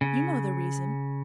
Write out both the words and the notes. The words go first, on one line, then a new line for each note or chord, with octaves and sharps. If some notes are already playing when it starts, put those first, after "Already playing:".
You know the reason.
C#3